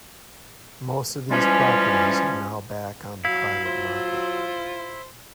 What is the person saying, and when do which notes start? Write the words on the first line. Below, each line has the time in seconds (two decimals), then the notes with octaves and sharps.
Most of these properties are now back on the private market.
1.31 E3 F3 G3 G#3 C#4
3.25 F#3 E4 F5
3.65 F4 C5